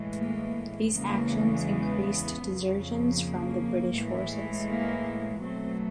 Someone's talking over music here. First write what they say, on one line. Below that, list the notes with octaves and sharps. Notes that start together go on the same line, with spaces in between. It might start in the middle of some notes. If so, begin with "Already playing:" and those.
These actions increased desertions from the British forces.
Already playing: A2 E3 G#3
A#3
E2 C#3 E3 G#3 A#3
B3
F2 C#3 F3
A#3
A2 E3 G#3
A#3
B2 F#3 A3 C4